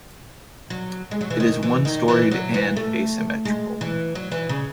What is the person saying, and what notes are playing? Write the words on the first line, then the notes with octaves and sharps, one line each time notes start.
It is one-storied and asymmetrical.
F#3
G#3
F#3
E3
D#3
E3
D#3
E3
F#3
E3
A3
G#3
E3
F#3
E3
C#3